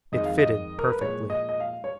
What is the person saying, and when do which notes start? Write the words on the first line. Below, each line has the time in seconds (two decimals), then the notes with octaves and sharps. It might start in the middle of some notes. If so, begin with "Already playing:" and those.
It fitted perfectly.
0.12 F2 D#3 G#3 D#5
0.25 F5
0.38 D#5
0.78 A#4
0.89 B4
1.01 A#2 F3 G#3 C#5
1.30 D#5
1.49 D#5
1.60 F5
1.84 C#5